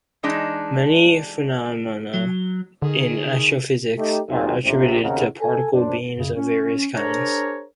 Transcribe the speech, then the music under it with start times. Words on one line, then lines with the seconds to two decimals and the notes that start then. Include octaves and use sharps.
Many phenomena in astrophysics are attributed to particle beams of various kinds.
0.23 E3 G#3 D4 D#4
2.14 F#3
2.82 D3 D#3 G#4
3.98 A3 D#4 G4
4.30 D#2 D#3 F#3 C4 F4 G#4
4.63 A#1 A2 C3
5.02 D#2 C#3 C4 D#4 A#4 F#5
5.40 A4 G#5
5.73 F#2 D4 C5
6.16 F#2 C#3
6.35 C#4
6.95 D4 G#4 A#4 C5 C#5 A#5